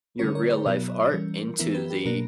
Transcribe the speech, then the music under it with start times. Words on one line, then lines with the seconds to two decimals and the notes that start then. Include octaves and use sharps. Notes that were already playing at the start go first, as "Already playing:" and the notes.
your real-life art into the,
0.19 D3 G3 C#4 A#4 C#5
0.35 A#4 C#5
0.50 G4 B4
0.66 B2 F#3 B3 E4 A#4
1.13 E3 G3 C#4
1.59 E3 B3 E4 A#4
1.74 G4 B4
1.90 G4
2.05 B2 F#3 A#3 D4 A#4